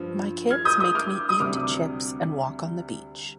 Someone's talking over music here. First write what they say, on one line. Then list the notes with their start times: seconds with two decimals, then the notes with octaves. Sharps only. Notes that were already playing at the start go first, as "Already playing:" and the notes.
My kids make me eat chips and walk on the beach.
Already playing: G2 F3
0.51 F6 G#6
0.65 D#6 G6
0.80 D#6 G6
0.95 D6 F6
1.29 D#6
1.40 D2 C3 G3 D6 F6